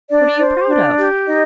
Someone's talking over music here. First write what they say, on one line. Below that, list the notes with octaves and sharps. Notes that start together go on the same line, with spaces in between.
What are you proud of?
D4 D5
C5
D4
G4
D#4 D#5